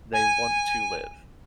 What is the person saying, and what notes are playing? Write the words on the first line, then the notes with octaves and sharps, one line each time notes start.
They want to live.
G#5